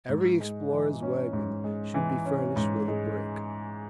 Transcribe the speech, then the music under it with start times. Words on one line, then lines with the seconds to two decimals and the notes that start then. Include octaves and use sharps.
Every explorer's wagon should be furnished with a break.
0.09 G#2
0.40 G#3
0.71 E3
1.02 C#4
1.33 G#2
1.64 G#3
1.94 E3
2.26 C#4
2.56 G#2
2.88 G#3